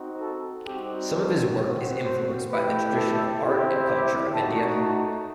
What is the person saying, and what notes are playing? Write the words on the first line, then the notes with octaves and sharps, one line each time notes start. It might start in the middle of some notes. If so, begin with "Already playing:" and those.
Some of his work is influenced by the traditional art and culture of India.
Already playing: C4 D#4 F#4
A4
G3 C4 D#4 F#4 G4
A4
C4 F#4
C5
A3 E4 G4 B4
A4
C4 E4 G4
E5
A3 D#4 F#4 A5
A5